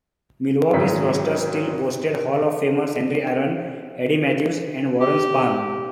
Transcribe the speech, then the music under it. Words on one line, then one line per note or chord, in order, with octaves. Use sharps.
Milwaukee's roster still boasted Hall of Famers Henry Aaron, Eddie Mathews and Warren Spahn.
G#1 G#2 F#3 E4 G5 B6
G4